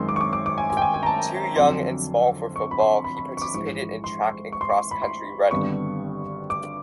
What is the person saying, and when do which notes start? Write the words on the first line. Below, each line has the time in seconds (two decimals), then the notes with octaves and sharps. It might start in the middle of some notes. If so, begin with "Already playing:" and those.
Too young and small for football, he participated in track and cross country running.
Already playing: G#1 F#2 D#3 G#3 C4 C6
0.09 D6
0.16 C#6
0.21 D6
0.33 D6
0.46 D6
0.58 G#5
0.70 G#5
0.77 G5
0.82 G#5
0.94 G#5
1.03 A#5
1.06 A5
1.56 F2 D3 F#3 C6
2.56 C#6
2.71 B5
2.80 C6
3.04 B5
3.17 B5
3.37 C#6
3.42 D6
3.54 A#1 G#2 E3 G#3 C#6
4.04 C6
4.52 C#6
4.61 C6
4.70 C#6
4.91 B5
5.02 C6
5.51 G#1 G2 D3 G3 B3 C#6
6.50 D6